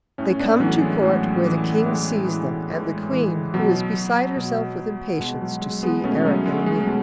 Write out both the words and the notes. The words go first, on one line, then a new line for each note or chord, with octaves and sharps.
They come to court, where the King sees them, and the Queen, who is beside herself with impatience to see Erec and Enide.
A2 A3 C#4
B3 D4
B3
E3 F#3 A3
G#3
A2 F#3
E3
A2 G#3
E3
A2 G#3
E3
B2 F#3
B2
B2 G#3
F#3
G#3
G#3 B3
B2 A3 C#4
F#3 A3
G#3
G#3
B2 G#3